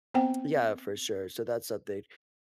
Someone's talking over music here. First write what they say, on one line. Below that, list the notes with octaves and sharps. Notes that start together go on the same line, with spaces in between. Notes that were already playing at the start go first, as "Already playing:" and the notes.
yeah, for sure, so that's something
B3 C4 C5 F#5 G5